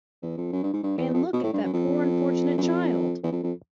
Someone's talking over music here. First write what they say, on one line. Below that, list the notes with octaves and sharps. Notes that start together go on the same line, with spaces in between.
And look at that poor unfortunate child!
E2
F2
F#2
G2
G#2
G2
E2
F2
B2
A2
G2
F#2
F2
F#2
F2
E2
F2
F2